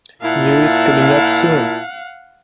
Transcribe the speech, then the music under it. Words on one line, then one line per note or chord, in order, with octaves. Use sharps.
News coming up soon.
A#2 E4 F5 F#5 A5